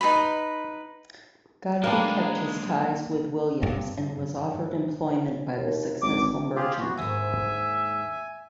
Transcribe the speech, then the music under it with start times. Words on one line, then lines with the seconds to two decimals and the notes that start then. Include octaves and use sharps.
Godbe kept his ties with Williams and was offered employment by the successful merchant.
0.01 D#4 A4 B4 B5
1.84 B1 G#3 A#3 D4 A#4 B4 G5
3.63 G2
5.56 D#2
6.02 G#1 C#2 D6
6.56 F4 G4 G#4
6.80 B3 F#4
6.97 D#2 G#2 E5 G#5